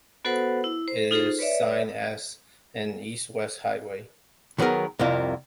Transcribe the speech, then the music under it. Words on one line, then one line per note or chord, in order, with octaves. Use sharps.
It is signed as an east-west highway.
B3 F#4 A4 B4 C5 F#5
E4
C5
D#4 F4 G#4 A4 C5
B4 C#5 D5 E5
D#3 F#3 B3 G#4 A#4
C2 F2 C3 A#3 E4 F4